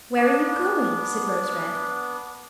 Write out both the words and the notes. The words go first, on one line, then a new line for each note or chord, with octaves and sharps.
"Where are you going?" said Rose-Red.
B3 D4